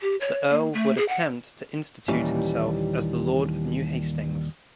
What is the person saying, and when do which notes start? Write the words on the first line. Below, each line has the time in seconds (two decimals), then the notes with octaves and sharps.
The Earl would attempt to institute himself as the Lord of New Hastings.
0.01 G4
0.21 C#5
0.50 A#3
0.74 A3
0.97 G#4
1.08 F#5
2.08 D#2 A#2 E3 G3 C#4